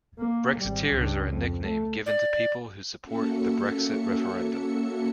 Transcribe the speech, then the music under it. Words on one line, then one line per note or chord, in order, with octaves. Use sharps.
Brexiteers are a nickname given to people who support the Brexit referendum.
A#3
G#1 G3
C#2 G2
F2
A3
D5
A#3 C#4 F#4 A4 E5 C#7